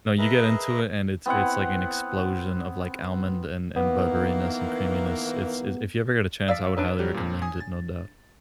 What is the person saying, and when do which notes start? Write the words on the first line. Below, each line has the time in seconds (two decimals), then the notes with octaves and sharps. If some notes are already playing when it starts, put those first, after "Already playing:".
No, you get into it, and it's it's like an explosion of, like, almond and and butteriness and creaminess. It's it's if you ever get a chance, I would highly recommend it, no doubt.
0.18 G#4 A#4 B4 D#5 E5
1.26 B3 C4 E4 F#5
3.76 D#3 E3 A#3 B3
6.48 F3 D5 F5 E6 B6
6.77 D4 B4 C#5
6.99 F#3 G3 G4
7.14 F2 A#2
7.42 G#5 D#6
7.60 A6